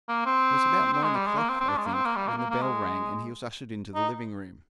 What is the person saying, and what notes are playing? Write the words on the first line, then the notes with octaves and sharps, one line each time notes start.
It was about nine o'clock, I think, when the bell rang and he was ushered into the living-room.
A#3
C4
C4
G#3
G3
G#3
A#3
C4
C4
D4
G#3
A#3
C4
A#3
G3
A#3
A#3
A#3
G#3
D#4